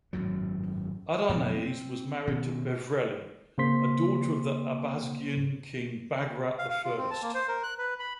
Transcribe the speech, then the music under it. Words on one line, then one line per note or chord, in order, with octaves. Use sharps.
Adarnase was married to "Bevreli", a daughter of the Abasgian king Bagrat the First.
G#1 F#2 A2 F#3
F#2 B2 F#3 G#3
C4
B2 D#3 C#4
C#3 A#3 C4 C5 C6 B6
F5
F5
F4
C4
A5
A#3
C5
A#4
F#6
B4
B5